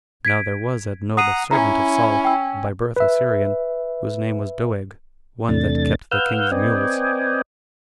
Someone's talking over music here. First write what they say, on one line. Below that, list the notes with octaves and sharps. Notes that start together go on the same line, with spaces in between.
Now there was at Nob a servant of Saul, by birth a Syrian, whose name was Doeg, one that kept the king's mules.
G#6 B6 D7
F#5 A#5 D#6 C7 D#7
C#4 E4 A#5
G5 E6
B4 E5
E2 C3 A3 D4 A6
B4 F5 F#5 E6 F6 G6
C4 B4 D5 D#5 G5 G#5